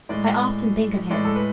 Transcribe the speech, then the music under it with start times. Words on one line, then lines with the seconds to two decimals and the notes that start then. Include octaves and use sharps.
I often think of him.
0.09 A2 G#3 D5
1.10 A2 G#3 D5
1.25 A4
1.35 B4